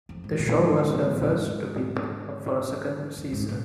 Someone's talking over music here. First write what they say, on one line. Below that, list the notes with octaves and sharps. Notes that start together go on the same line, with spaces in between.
The show was her first to be picked up for a second season.
F2
G#2
A#2
G#2
G#2
G#2
F2
G#2
A#2